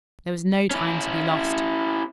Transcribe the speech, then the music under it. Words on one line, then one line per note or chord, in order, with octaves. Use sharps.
There was no time to be lost.
C#4 E4